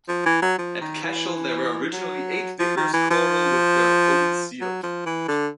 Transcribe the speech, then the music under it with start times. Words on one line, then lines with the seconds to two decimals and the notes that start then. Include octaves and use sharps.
At Cashel there were originally eight vicars choral with their own seal.
0.08 F3
0.26 E3
0.42 F#3
0.58 F3
0.81 D#3
1.04 E3
1.93 F#3
2.59 F3
2.77 D#3
2.94 E3
3.11 F3
4.61 F#3
4.83 F3
5.06 E3
5.28 D3